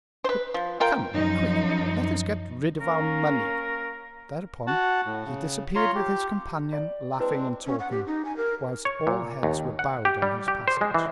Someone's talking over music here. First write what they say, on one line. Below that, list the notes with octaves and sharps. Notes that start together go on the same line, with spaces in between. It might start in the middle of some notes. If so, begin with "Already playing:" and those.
"But come, quick! let us get rid of our money." Thereupon he disappeared with his companion, laughing and talking, whilst all heads were bowed on his passage.
B4 C5
F3
F4 A#4 G5
F#2 F3 D#4
A#3 C#4 A#4
F#4 F#5 A5
A2
C#3
F4 C#5 A#5 C6
G4
D5
G#3 C4 D4 E4 B4
C#4
F#5
G4
D#4
G#5
A#4
C#5
A#2
D#2
F#5
G4
G3
G4
C5
G#3
E3